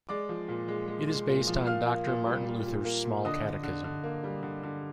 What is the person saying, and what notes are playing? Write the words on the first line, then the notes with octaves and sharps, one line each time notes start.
It is based on Doctor Martin Luther's Small Catechism.
G#3 D5 D6
F3
A#2
G#3
G#3
G#3
A#2
F3
A#2 F5 F6
A#3
A#2
G3
A#2
A#2
A#3
A#2
D3 D#5 D#6
D3
D3
D3
A#3
G3
D3
D3